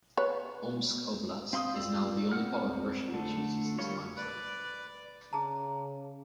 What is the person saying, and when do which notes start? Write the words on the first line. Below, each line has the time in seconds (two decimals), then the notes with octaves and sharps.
Omsk Oblast is now the only part of Russia which uses this time zone.
0.17 B4 C#5
1.53 C4 F5 C6 D#6
1.74 F4 D5 E6
2.32 C4 F#5 F6
3.14 D3 A3
3.79 D3 G3 A#3 F4 C#5
4.16 B4 D5
5.33 C#3 G#4 A5 A#5